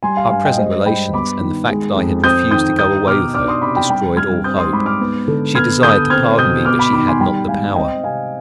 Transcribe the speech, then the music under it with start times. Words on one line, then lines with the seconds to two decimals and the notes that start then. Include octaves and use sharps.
Our present relations, and the fact that I had refused to go away with her, destroyed all hope; she desired to pardon me but she had not the power.
0.03 G3 G#5 C6
0.17 F5 G#5
0.30 G2 F5 G#5
0.45 D#5 G5
0.58 G#3 C5 D#5
0.86 G2 G5 B5
1.14 B3 B5 D6
1.41 D#3
1.69 G#3
1.96 F2
2.24 C4 D#6 G6
2.51 D#3 D#6 G6
2.79 D#4 D#6 G6
3.07 B2 D6 F6
3.34 D4 D6 F6
3.48 C6 D#6
3.62 C3 B5 D6
3.75 G5 B5
3.89 G3 G5 B5
4.17 G2 F6 G#6
4.44 C4 D#6 G6
4.59 C6 D#6
4.72 G#2 B5 D6
4.86 D6 F6
5.00 B3
5.28 D3
5.55 B3 F6 G#6
5.83 D3 D#6 G6
6.10 C4 F6 G#6
6.37 B2 D#6 G6
6.65 B3 D6 F6
6.79 B5 D6
6.93 D#3 B5 D6
7.07 G#5 C6
7.21 G3 G5 B5
7.48 G#2 F5 G#5
7.75 C4 D#5 G5
8.04 C3 F5 G#5